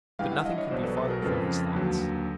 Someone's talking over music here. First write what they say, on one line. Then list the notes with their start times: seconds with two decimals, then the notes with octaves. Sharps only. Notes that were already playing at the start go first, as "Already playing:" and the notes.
But nothing could be farther from his thoughts.
0.19 G2 E3 G#3 F5 G5
0.32 E5 F#5
0.45 D#5 F5
0.58 C#5 D#5
0.70 B1 B2 F#3 C5 D5
0.83 A4 B4
0.96 A4 B4
1.10 G#4 A#4
1.22 F2 C#3 F3 G#3 A4 B4
1.74 D#2 D3 F#3